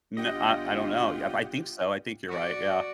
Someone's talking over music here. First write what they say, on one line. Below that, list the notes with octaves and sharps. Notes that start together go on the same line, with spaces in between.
N uh, I don't know. Yep, I think so, I think you're right, yeah.
G1 F4 G4 D#5 F#5 G5
F#4 D5